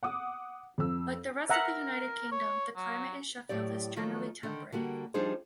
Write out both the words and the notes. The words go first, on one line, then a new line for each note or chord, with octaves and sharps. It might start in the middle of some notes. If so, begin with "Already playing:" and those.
Like the rest of the United Kingdom, the climate in Sheffield is generally temperate.
F#5 D6 D#6
F2 E6
A#4 E5 F#5 A#5
C#5
F#3
A2 F#3 G4 D5
D#3 F3 F#3 A3
D3 D#3
D3 G3 A#3 F#4
F3 G3 D4 D#4 G#4 C5